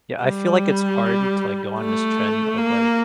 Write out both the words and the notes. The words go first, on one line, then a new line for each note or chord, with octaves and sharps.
Yeah, I feel like it's hard to, like, go on this trend of, like,
G3
A3
A#3